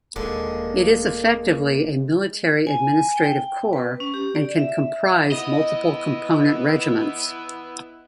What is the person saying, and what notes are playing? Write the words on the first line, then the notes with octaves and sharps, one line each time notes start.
It is effectively a military administrative corps, and can comprise multiple component regiments.
D#1 D3 G#3 A#3
G#5
G5
B4
C#4
G4
D5
E5
B3 E4 B4 D#5